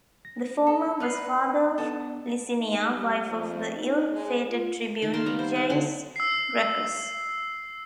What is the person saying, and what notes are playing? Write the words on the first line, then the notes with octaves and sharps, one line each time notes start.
The former was father of Licinia, wife of the ill-fated tribune Gaius Gracchus.
A#6
A4
D#4 B4 D5 F6 C7
B3 D4 A4 D#6
D#4
G3
F2
D#4
G#3
F4
D#3
A#4 G5 A5 C6
G3 B3 F5
C5
F#5
D3 F#3 C6
E6 C7